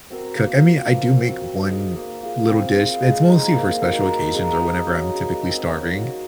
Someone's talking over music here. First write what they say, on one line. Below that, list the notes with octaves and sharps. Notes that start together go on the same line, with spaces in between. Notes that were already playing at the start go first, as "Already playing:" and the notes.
cook. I mean, I do make one little dish, but it's mostly for special occasions or whenever I'm typically starving,
C4 F#4 A#4
A#3
F4 C5 F5
F3
C4 F#4
C4
D#4 G#4 D#5
A#3
F4 G#4
C4
F4 G#4
G#3
D#4 G#4 C5
A#3
D#4 F#4 A#4
G#3
D#4 G#4 D#5
G#3
C#4 F#4
G#3
C4 D#4 G#4
C#4
F#4 C5